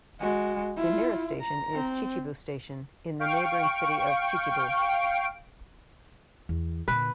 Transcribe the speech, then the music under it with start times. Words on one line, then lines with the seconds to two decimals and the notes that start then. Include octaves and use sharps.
The nearest station is Chichibu Station, in the neighboring city of Chichibu.
0.20 G#3 F#4
0.77 E4 F4
1.40 A#5
1.74 C4
3.19 F5 G5 C#6 D7
6.49 E2
6.88 A#2 D3 B4